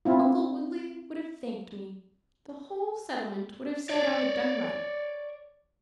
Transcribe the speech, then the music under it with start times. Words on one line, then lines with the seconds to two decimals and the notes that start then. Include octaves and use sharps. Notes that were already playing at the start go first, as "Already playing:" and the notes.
Uncle Woodley would have thanked me--the whole settlement would have said I had done right.
0.05 C4 E4 F4
3.90 C#5 D5